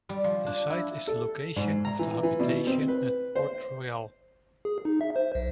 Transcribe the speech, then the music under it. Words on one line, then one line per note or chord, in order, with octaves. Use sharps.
The site is the location of the Habitation at Port-Royal.
G3
F3
D4
E4
A4
G#2
A#5
E3
E3
B2
C4
B4
C5
G#4
D#4
E5
C5
B1